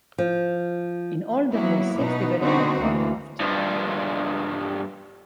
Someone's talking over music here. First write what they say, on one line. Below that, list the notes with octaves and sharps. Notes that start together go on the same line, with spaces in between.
In all there were six "development" aircraft.
F3
F#3 A#3 B3 E4
B2 B3 D#4
D3 G3 B3 C4 D#4 F#4
D2 E3 A#3
G2 F3